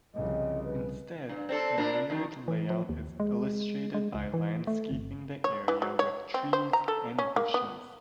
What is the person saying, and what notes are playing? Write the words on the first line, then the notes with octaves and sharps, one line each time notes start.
Instead, the mirrored layout is illustrated by landscaping the area with trees and bushes.
C2 C#3 F3 D#5
B4
G2
C4 D4 A4
A#2 D4 A#4
F#2 D#3
E3
F3
D#2
G#3
G#3
C#2
E3
A3
G1
C#5
E3
F#3
C#5
C4
C5
A#5
A4
C#4
A#3
B3